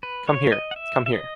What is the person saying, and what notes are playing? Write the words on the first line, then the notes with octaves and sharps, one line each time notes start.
Come here, come here.
B4
C#5
D#5
F#5
E5
E5
D#5